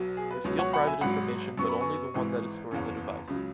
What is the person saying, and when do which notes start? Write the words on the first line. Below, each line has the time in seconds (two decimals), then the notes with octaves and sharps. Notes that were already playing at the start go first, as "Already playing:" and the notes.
They steal private information but only the one that is stored in the device.
Already playing: B1 B2 F#3
0.17 G#4
0.31 B4
0.44 C#2 B2 F#3 C#4
0.59 C#5 F#5
0.73 F#5 B5
0.87 E5 G#5
1.01 G#1 G#2 F#3 F#5 B5
1.58 F#2 F#3 B3 C#6
1.69 B5
1.80 G#5 C#6
2.14 G#1 G#2 E3
2.71 F#1 E2 E3 C#4
3.28 C#2 C#3 F#3